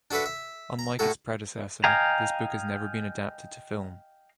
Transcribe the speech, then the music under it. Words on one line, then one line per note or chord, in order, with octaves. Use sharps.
Unlike its predecessor, this book has never been adapted to film.
D4 F#4 A4 B4 E5
E5
A#5
A2 F#4 A4 A#5
D#5 F5 G5 G#5 A#5